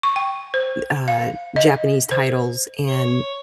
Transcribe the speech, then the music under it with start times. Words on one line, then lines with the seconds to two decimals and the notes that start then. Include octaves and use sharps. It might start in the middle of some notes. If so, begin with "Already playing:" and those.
uh, Japanese titles and
0.03 C#6
0.16 G5
0.54 C5
1.08 F5
1.56 D#5
2.11 C5
2.88 C#5